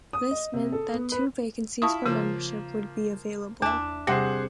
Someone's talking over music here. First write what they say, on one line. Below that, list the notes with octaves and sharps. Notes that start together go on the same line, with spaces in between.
This meant that two vacancies for membership would be available.
D#6
D#5
C3
A4
B3
B4
E4 F4 A5 C#6 D#6
C#3 F3 A#3
E2 D4 E5
C3 G3 G#4 C5 F#5